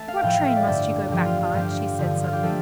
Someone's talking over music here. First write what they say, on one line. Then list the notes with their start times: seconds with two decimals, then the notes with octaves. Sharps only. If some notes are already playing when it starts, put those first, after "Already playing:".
"What train must you go back by?" she said suddenly.
Already playing: A3 A5
0.08 F5
0.22 A2 F3 A3 G5
0.35 F5
0.45 E5
0.56 D5
0.66 G2 D3 F3 A4
1.08 G2 D3 F3 G4
1.26 F4
1.40 F4
1.53 G2 D3 F3 G4
1.99 G2 D3 F3
2.24 F4
2.33 G4
2.43 F3 A3 A4